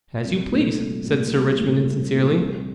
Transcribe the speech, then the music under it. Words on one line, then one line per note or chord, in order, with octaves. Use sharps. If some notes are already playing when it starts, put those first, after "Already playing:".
"As you please," said Sir Richmond insincerely.
C2
A#2 A3
C2
A#2 A3
C2
A#2 A3
C2
A#2 A3
C2